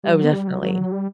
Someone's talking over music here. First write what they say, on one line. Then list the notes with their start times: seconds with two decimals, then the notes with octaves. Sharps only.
Oh, definitely.
0.04 G3
0.13 F#3
0.24 B3
0.33 G3
0.48 F#3
0.62 F#3
0.92 G3